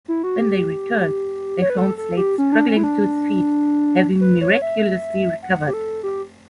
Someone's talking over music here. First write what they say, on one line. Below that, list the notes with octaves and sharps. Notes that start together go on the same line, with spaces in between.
When they returned, they found Slade struggling to his feet, having miraculously recovered.
E4
F#4
G4
C#5
B4
A4
A4
G4
C#4
D4
C#4
E4
D4
B4
C#5
E5
F#5
G4
A4
G4